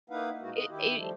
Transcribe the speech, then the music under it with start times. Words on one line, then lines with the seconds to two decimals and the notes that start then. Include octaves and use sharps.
It it
0.10 A#3 D#4 E4 B4 F5 F#5
0.42 A#2 G#3 D#4 E4 F#4
0.53 D#5
0.69 D#3 E4 G4
0.96 F3 G3 A3